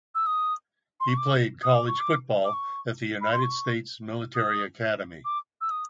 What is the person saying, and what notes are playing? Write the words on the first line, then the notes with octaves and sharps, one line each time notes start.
He played college football at the United States Military Academy.
E6
D#6
C6
C#6
D6
D#6
D6
C#6
D6
D6
C#6
B5
C6
C#6
D#6
D6
E6
D#6